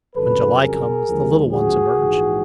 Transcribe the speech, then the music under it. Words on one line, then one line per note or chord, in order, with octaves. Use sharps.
When July comes, the little ones emerge.
F2 C#3 F#3 A4 B4
G#4 A#4
D#2 D3 F3 G#3
F#4 G#4
A#1 G#2 E3 G#3